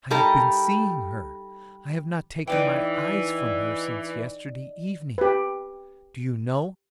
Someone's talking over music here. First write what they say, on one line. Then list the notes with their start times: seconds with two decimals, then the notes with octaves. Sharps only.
I have been seeing her; I have not taken my eyes from her since yesterday evening. Do you know?
0.11 G3 D#4 A4 A#4
2.48 E3 D#4 D5 G5
5.18 G4 B4